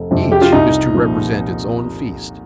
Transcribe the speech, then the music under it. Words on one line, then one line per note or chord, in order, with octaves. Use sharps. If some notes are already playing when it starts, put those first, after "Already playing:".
Each is to represent its own feast.
Already playing: F1
F2 C3 F3
G4
F4
C2 D#4
A#2 F3